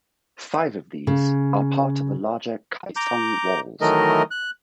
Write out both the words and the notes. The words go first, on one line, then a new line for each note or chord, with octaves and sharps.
Five of these are part of the larger Kaesong Walls.
C#3
A#5 D6 G6
D#3 E3 F#3 A3 A#4 D#5
F#6